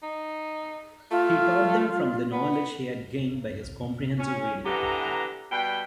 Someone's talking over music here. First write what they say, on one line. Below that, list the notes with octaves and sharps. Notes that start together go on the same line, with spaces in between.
He taught them from the knowledge he had gained by his comprehensive reading.
D#4
A3 F4
B3
C#4
D3 E3 B3 G4 A#5
B2 G3 B4 G5